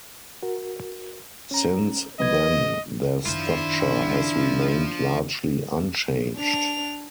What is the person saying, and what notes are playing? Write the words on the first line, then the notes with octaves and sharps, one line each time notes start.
Since then, their structure has remained largely unchanged.
F#4 A#4
C#4 A#5
F3 B4 D#5 G#6
F#2 D#3 D4 E4 F4 C5
D4 F7